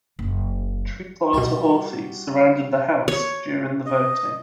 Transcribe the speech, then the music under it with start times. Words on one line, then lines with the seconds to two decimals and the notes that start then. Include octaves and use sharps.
Troops loyal to Horthy surrounded the House during the voting.
0.19 F#1
1.33 C2 B2 G3 F#4
3.08 C#5
3.86 D#5